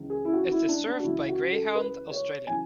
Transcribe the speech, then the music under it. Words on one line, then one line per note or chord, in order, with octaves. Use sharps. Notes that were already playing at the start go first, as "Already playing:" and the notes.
It is served by Greyhound Australia.
Already playing: C#2 C#3 E3
G#4
E4
F#4
E4
D4
D4
F#4
C#2 C#3 E3 E4
F#4
A4
B4
C#5
C#3 E3 G#5